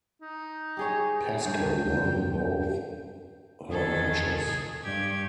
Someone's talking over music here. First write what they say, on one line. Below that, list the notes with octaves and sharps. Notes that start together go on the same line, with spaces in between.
Pascoe won both her matches.
D#4
G4 G#4 C#5
G2 G5
D#3 G#4 A4
G2 G4 G#6